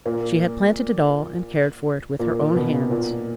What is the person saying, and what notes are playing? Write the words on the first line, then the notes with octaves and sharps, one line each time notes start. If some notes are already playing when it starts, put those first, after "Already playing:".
She had planted it all and cared for it with her own hands.
A#2 A#3
A#2 A#3
B2 B3
A#2 A#3